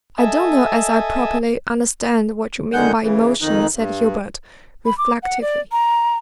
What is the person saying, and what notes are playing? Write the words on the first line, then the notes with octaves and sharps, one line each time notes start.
"I don't know as I properly understand what you mean by emotion," said Herbert, reflectively.
A4 D#5 E5 G#5
F#2 D3 D#3 G#3 F#5 G6
C#3 E3
F2 D#3 D#4 F#6
G2
B5
D6
F#5
D5
A#5